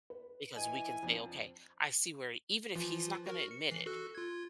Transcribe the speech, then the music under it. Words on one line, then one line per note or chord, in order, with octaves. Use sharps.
because we can say, "Okay, I see where even if he's not gonna admit it,
B4
E3 D#5 G#5
F2 F3 D4
E3 F3 F4
F#4 A#4
C#7
E3 C7
F#4 A4 F#6
F4 G#6